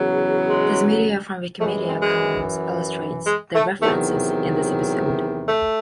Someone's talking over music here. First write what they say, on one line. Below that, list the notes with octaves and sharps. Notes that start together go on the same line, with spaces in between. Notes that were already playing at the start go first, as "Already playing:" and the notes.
This media from Wikimedia Commons illustrates the references in this episode.
Already playing: E2 C#3 F#3
G#3
F#2 E3 G#3 A3
C4
G#3
G#3
A3
E2 C3 D#3 F#3 A3
A3